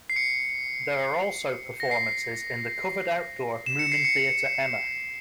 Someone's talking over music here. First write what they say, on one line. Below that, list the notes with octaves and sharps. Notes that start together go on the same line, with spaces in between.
There are also performances in the covered outdoor Moomin Theatre Emma.
C7
C#7
A#6
C7
E7
C#7
C7
C#7